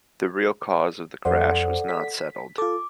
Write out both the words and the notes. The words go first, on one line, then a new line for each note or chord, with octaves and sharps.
The real cause of the crash was not settled.
F2 A4 C5 D5 F#5
B6
F4 A4 D6